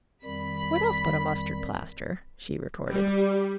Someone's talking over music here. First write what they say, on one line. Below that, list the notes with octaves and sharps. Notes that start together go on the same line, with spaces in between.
"What else but a mustard-plaster!" she retorted.
F2 D#3 G3 B5
G3